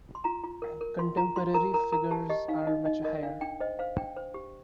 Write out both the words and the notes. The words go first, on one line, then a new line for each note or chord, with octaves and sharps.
Contemporary figures are much higher.
C6
F4 A#5
F4
A#4
A#4
F4 C6
F4 A#5
F4 C6
A#4 A#5
A#4 A#5
A#4 A#5
G4 A5
G4 D#5
D#4 F5
D#4 D#5
D#4 D#5
A#4 D#5
D4 F5
D4 G5
C5 D#5
C5 F5
D4 G5
C5
G4